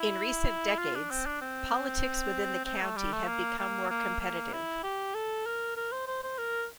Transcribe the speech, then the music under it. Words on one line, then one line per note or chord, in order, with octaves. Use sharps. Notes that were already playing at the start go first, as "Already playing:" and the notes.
In recent decades, politics within the county have become more competitive.
Already playing: E4
F4
D4
C4
D4
C4
C4
A3
G3
A3
A#3
A#3
A#3
A#3
E4
G4
A4
A#4
A#4
C5
C5
C5
A#4